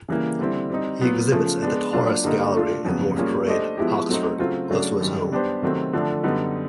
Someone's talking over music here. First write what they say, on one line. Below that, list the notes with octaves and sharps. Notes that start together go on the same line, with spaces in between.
He exhibits at the Taurus Gallery in North Parade, Oxford, close to his home.
C#3 E3 G3 A#3
D3 G3 C4 E4
G3 C4 D#4
A#2 F#3 B3
C#3 F3 A3
G#3 B3 D4
F#3 A#3 D4 F4
G2 D3 G3 A#3 D#4
A3 D4 F4
F2 C#3 F#3 B3
G3 A#3 C#4 F4 G#4
A3 D4 G4 C5 D#5
F3 G#3 B3 E4 G4
F#3 A3 C4 D#4
C#3 F#3 A3 C4 F4
C#3 F#3 A3 D4
F#2 D#3 G3
G3 B3 D4 G4 C5
C3 D#3 F#3 A3 C4
D3 F3 A3 D4
F#2 D3 G3 B3 D#4